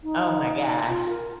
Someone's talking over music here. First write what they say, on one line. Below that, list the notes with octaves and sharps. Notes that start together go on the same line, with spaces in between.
Oh my gosh.
D#4
F4
A#4